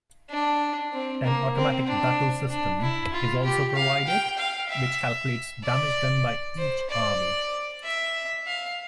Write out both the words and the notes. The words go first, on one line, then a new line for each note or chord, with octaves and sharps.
An automatic battle system is also provided, which calculates damage done by each army.
D4
C4
A#3
C4
D4
D4
E4
F4
G4
F5
G5
F5
E5
D5
C5
D5
E5
F5